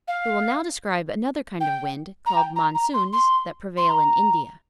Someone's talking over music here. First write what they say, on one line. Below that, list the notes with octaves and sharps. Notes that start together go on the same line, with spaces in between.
We will now describe another kind of wind, called monsoons, that prevail in India.
F5
G5
A#5
G5
A#5
A#5
C6
C6
C6
A#5